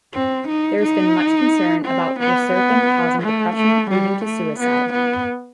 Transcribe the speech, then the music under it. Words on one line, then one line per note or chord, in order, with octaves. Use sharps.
There has been much concern about reserpine causing depression leading to suicide.
C4
D#4
D#4
C4
B3
B3
A3
A3
G3
A3
B3
B3